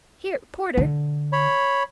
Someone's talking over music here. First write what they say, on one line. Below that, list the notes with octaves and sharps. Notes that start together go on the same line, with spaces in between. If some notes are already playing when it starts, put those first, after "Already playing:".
Here, porter!
D3
C#5 B5